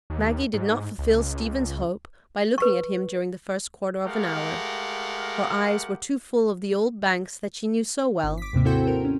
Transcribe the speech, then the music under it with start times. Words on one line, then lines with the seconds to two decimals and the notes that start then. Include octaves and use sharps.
Maggie did not fulfil Stephen's hope by looking at him during the first quarter of an hour; her eyes were too full of the old banks that she knew so well.
0.10 D#2
0.54 G#2
0.98 C#2
2.58 B4 C#6
4.06 G#3 A3 G4 A#4 F5 F#5
8.24 G1
8.38 D6 B6
8.53 D#2 G#2 C3 A#3
8.65 C4 E4 F#4 A4 C5 G5
8.87 A#4
9.05 C#4